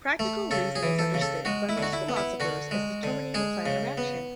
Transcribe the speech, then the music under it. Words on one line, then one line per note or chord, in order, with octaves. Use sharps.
Practical reason is understood by most philosophers as determining a plan of action.
A3
C#3 A4
G#4
E3
A4
C#3
A4
G#3 F#4
E4
D3 F#4
E4
B3
E4
D3 F#4
G#3
D3
G#3 G#4
C#3
B3